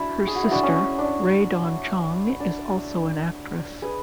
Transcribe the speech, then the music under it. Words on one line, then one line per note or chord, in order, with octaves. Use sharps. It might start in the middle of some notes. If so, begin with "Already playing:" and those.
Her sister Rae Dawn Chong is also an actress.
Already playing: D4 E4 F#4
G#4
F#4
E4
D4 F#4
C#4
D4
D4
G#4 B4